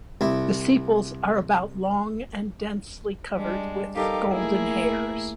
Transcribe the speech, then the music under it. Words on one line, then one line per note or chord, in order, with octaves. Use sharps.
The sepals are about long and densely covered with golden hairs.
C2 E4
G3 G#3 D4
G3 D#4 G4 A4 A#4 F5
A3 A#3 E4 G#4 A#4